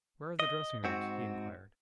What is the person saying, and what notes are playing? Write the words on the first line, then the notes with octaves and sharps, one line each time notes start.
"Where are the dressing rooms?" he inquired.
D#5
G#2 C4 F#4